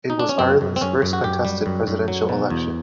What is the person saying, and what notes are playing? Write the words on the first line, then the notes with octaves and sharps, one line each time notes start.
It was Ireland's first contested presidential election.
D#4
D4
C#4
F#2 C4
F#2
C4
F#2 C#4
F#2
F#4
F#2 G4
G3
F#2
F#2
F#3
B2
E2